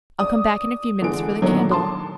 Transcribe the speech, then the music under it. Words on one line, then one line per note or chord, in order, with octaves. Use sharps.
I'll come back in a few minutes for the candle.
D5 D#6
D3 E3 G#3 D7
A#2 D3 D#3 F#3
A5 C6